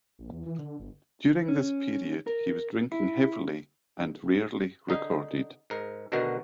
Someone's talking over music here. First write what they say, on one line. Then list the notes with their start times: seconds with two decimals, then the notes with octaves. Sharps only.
During this period he was drinking heavily and rarely recorded.
0.19 A#1
0.31 E2
0.46 E3
0.58 D3
0.80 G1
1.48 C#4
2.27 A#4
2.92 E4
4.89 D3 D#4
5.70 G#2 A#4
6.12 D2 B2 D3 D#3 F#4 A#4